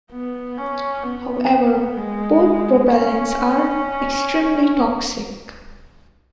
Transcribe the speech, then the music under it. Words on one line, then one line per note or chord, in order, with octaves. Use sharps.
However, both propellants are extremely toxic.
B3
C#4
B3
G#3
C#4